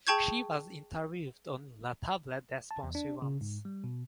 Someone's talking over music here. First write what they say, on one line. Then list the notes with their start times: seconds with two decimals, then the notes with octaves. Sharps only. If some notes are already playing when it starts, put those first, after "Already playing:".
She was interviewed on "La Table des bons vivants".
0.07 G#4 G5 A5 C#6 G6 G#6
2.71 A5
2.83 E2
2.95 D4
3.22 C#3
3.41 G#2
3.65 G3
3.84 B2